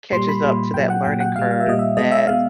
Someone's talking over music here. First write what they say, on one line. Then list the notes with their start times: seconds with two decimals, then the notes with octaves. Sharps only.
catches up to that learning curve that,
0.12 A#2 G3 C6
0.29 B5
0.43 A#2 G3
0.74 A#2 F#3 G5
0.90 F#5
1.05 A#2 F#3 G5
1.20 F#5
1.35 A#2 G3 F5
1.51 F5
1.60 E5
1.66 A#2 G3 D#5
1.79 E5
1.97 B2 G#3 D#5
2.12 E5
2.27 B2 G#3 F5